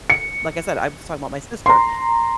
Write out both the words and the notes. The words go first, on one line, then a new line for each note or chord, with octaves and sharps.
like I said, I was talking about my sister.
C#7
A#5 C6